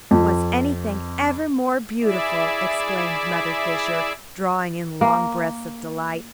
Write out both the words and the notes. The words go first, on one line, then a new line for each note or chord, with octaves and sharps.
"Was anything ever more beautiful?" exclaimed Mother Fisher, drawing in long breaths of delight.
F2
E4 G#4 D5 E5
A#3